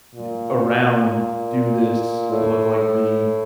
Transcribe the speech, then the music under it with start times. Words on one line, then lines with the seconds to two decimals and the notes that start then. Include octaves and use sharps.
eh around, "Do this to look like me,
0.15 A#2
2.31 A2